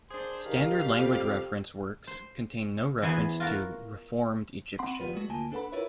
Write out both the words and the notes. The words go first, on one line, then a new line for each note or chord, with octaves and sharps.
Standard language reference works contain no reference to "reformed Egyptian".
D4 G#4 C5
D#3 G4 F5
F2 C3 G3 C4
C5
E2 E3 B3 C5 G#5 B5
F4 F#4 A#4
C4 F#5 B5 C6
F3 G3 B3 F4 B4
G#3 A3 F#4
D2 A#3 F4 G#5 A5
D4 A4 B4 F#5 B5
E4 F4 A#4 B4 C#5 E5